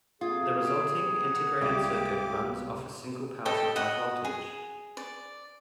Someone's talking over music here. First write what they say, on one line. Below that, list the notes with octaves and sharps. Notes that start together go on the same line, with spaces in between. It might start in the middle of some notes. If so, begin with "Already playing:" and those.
The resulting integrated circuit runs off a single power supply voltage.
F2 C3 F4 G#4
G4
E2 F#5
C#2 C3 G3 G4 D6
G4 A4 D#5 G5
D#5 F#5 D#6
G#4
D5